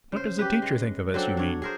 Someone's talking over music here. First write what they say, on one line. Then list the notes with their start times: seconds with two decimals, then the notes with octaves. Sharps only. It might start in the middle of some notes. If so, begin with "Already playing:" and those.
"What does the teacher think of us, you mean?"
0.12 C#3 C5
0.39 G4 B4
0.62 G#3
1.14 F#3 C4 D4 A4
1.37 D4 C#5
1.62 G#4 A#4 C5